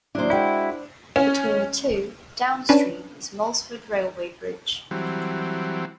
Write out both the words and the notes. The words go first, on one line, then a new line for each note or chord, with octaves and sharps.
Between the two, downstream is Moulsford Railway Bridge.
D#2 F#3 D4 E4 C5
G#3 E4 F#4 D5 G5
C#4
C#4 D4 B4
E3 F#3 G3 C4